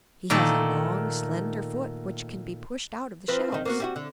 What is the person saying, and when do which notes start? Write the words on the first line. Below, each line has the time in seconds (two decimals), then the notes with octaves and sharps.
He has a long, slender foot which can be pushed out of the shells.
0.30 A#2 D#3 A3
3.28 F3 C4 B4
3.52 D#3 D#4
3.66 A#3 B3 F#4
3.80 G3 E4 F#4
3.96 D3